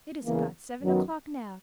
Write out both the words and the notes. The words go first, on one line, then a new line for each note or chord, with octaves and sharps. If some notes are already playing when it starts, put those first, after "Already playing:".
It is about seven o'clock now.
E2 C#3 E3 A#3
F#2 D#3 F#3 B3